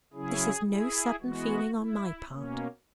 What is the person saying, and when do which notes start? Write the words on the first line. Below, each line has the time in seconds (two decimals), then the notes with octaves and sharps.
This is no sudden feeling on my part.
0.13 C#3 F#3 C#4 E4 G#4
0.67 E4 G#4
1.21 E3 G#3 B3 F#4
1.76 E4
2.29 B2 A#3 C#4